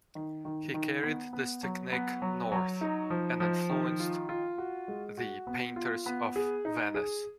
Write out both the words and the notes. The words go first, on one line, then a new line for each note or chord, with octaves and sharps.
He carried this technique north and influenced the painters of Venice.
D#3
D#3
D#3
B3
B3
F#3
B3
F#3
F#3
D#4
F3
F3
D#3
F4
F4
F#4
G#3
F#4
B3
F4
B3
G#4
D#4
G#4